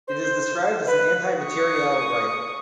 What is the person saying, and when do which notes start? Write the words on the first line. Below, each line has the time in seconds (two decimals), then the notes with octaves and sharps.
It is described as an anti-materiel rifle.
0.07 C5
0.87 B4
1.43 C#6 D#6